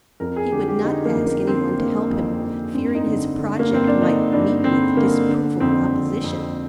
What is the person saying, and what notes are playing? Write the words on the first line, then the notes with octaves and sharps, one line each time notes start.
He would not ask any one to help him, fearing his project might meet with disapproval and opposition.
F2 A#4
G#4
D3 G4
G4
D3 D#4
A#3
F2
A#3
D3 C4
D3 A#3
F2
F2
G2 C4
D#4
D3
D3
A#3
G2
C4
D4
D3 D#4
G2 D4
D3 C4
D3 A#3
D3
F2 C4
F2
F2